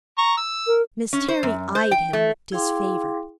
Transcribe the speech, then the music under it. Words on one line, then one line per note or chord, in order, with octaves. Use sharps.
Miss Terry eyed him with disfavor.
A#5 C#6
E6
A#4
C#4
C5
F#2
C5
G5
A3
E4 G#4 F5 G5 C6 D6